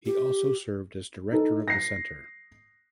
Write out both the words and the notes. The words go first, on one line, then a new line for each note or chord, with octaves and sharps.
He also served as director of the Center.
G4
D#4 A4
A#6 C7